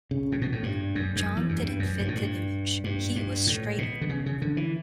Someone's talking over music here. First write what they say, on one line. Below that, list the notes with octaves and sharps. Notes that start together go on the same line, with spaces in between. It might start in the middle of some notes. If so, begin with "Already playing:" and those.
John didn't fit the image; he was straighter.
C#3
A2
B2
A2
G2
F#2
F#2
E2
F#2
G2
F#2
G2
A2
G2
G2
G2
A2
B2
D3
C#3
C#3
D3
E3